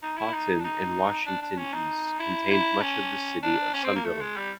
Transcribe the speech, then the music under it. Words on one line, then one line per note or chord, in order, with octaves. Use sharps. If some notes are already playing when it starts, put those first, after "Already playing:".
Houghton and Washington East contained much of the City of Sunderland.
D#4
E4
D#4
D4
D#4
D4
D4
C#4
D#4
E4
E4
C#4
D4
C#4
C4
A#3
A3
G#3
G3